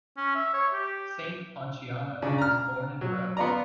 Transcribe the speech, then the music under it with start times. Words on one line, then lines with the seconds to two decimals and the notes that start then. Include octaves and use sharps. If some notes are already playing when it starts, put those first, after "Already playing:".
Saint Ponciano was born in Rome.
0.17 C#4
0.36 E5
0.54 C#5
0.73 G4
2.22 C#3 D4
2.38 A#5 F6
3.01 F#3
3.37 B3 F4 D5 A#5